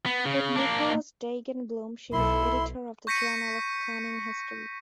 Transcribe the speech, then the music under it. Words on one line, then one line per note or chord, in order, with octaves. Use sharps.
With Nicholas Dagen Bloom she is editor of the Journal of Planning History.
B3
C#3
A#3 D4
B1 E4 A4 E5 B5 C6
C#6 G6 A#6 B6 C#7 D#7